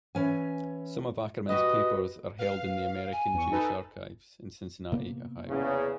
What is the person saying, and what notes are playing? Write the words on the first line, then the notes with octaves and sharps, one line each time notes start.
Some of Ackerman's papers are held in the American Jewish Archives, in Cincinnati, Ohio.
E3 C#4 G#5
F#4 G4 B4 D#5
B4 F5
G#5
E2 C#6
D#4 A4 B4
C3 A#3 B3
E2 C#3